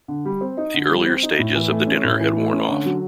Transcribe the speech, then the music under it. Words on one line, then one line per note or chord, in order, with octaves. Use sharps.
The earlier stages of the dinner had worn off.
D3
G3
C4
D#4
D3
G3
C4
D#4
A2
E3
A3
C#4
A2
E3
A3
C#4
D3
F#3